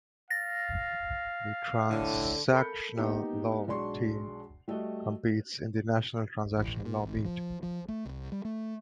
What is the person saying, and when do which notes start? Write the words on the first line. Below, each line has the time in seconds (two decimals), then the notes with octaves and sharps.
The Transactional Law Team competes in the National Transactional Law Meet.
0.30 F5 A6 A#6
1.90 A2 D3
2.53 A4 A#4 B5 G6 C#7
2.97 A#3 B3 D#4 G4
3.68 B1 G#3 D4 D5 C6 C#6
4.68 G3 A3 F#4 D#5
6.57 A1
6.85 A#2
7.04 G#1
7.25 F3
7.63 F3
7.88 A3
8.05 C2
8.32 G3
8.45 A3